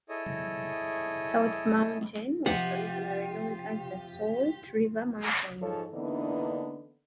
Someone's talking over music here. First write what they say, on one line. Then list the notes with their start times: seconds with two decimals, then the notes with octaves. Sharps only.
South Mountain was originally known as the Salt River Mountains.
0.09 E4 G#4 A4 C#5 D#5
2.46 C3 F3 C4 F4 G4 F#5
5.62 G#2 F3 A4 C5 C#5
5.93 D3 E3 A#3 B3 D4 D#4